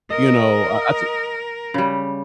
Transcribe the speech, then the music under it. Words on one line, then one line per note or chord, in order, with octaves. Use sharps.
you know, I I took
A#4 D#5
C#3 G3